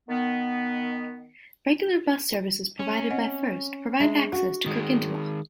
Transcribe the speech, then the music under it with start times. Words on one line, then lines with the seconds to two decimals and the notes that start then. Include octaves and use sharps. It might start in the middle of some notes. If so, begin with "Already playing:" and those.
Regular bus services provided by First provide access to Kirkintilloch.
0.09 D#3 B3
2.79 C#4
3.10 C4 D#5 F#5
4.00 G#3 D4 E5 A5
4.33 F#4 F#5
4.66 D#3 G#3